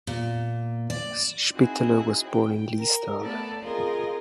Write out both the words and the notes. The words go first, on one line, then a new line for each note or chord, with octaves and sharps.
Spitteler was born in Liestal.
A#2
D5
C4 D#4 E4 F#4 G#4
G5
A#4
A3 B3 A4 D5
C4 F4 G#4 A#4 D#5